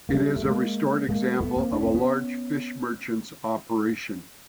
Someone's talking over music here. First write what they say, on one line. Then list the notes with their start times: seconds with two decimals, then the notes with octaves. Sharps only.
It is a restored example of a large fish merchant's operation.
0.09 A#3
0.14 G3 A3
0.36 A3
0.45 G#3 A#3
1.09 G#3 A#3
1.41 A3 B3
1.57 A#3 C4
1.72 D4
1.80 C#4
1.87 C4
1.95 B3 C#4